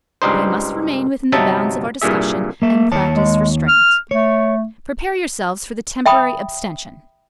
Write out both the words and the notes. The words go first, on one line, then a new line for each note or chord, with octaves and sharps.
But I must remain within the bounds of our discussion and practice restraint. Prepare yourselves for the temporary abstention.
C#2 G2 G3 D#4 C5
G1 C3 F#3 D#4 E5 A5
C2 G2 A#2 G#4 E5
A#3 E5
D#2 C#5 A5
G#3
F6
A3 C#5
E5 G5 B5 D#6